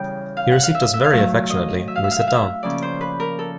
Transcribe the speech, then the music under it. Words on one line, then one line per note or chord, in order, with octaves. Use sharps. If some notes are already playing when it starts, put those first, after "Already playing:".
He received us very affectionately, and we sat down.
Already playing: E2 C#3 E3 G3 G5
F5
F#5
F5
E5
E5
F5
D#3 F#3 A3 E5
D#5
E5
F5
E5
F5
E5
F5
E5
C#3 F3 A#3 C#4 D5
C5
B4
A#4
A4